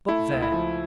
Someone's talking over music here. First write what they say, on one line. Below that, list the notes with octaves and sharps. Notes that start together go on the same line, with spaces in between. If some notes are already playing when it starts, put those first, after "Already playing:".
But there!
A3 E4
C#2
E4
F3